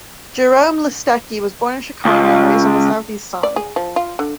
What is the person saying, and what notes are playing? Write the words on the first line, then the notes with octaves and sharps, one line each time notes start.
Jerome Listecki was born in Chicago and raised on the Southeast Side.
C#2
D5
G#4
F3
F4
D3